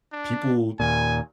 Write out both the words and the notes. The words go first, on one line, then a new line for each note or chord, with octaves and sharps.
people t
D4
D#2 A#2 G#5